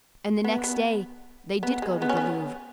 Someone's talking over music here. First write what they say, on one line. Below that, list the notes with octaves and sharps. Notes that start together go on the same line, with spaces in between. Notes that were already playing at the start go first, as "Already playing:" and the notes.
And the next day they did go to the Louvre.
B3
B3
B3
G#3
B3
C#4
B3